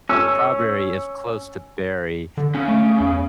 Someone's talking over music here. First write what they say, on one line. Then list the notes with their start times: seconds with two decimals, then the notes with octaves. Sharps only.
strawberry is close to berry,
0.09 C#4 E6
2.37 D3
2.55 C#3 C#4
2.68 A3
3.00 E2